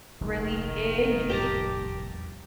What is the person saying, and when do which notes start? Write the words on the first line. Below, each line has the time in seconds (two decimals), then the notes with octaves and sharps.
Really is.
0.21 F1 A#1 D#2 D#3
1.30 E2 A2 G3 G4 A5 A#5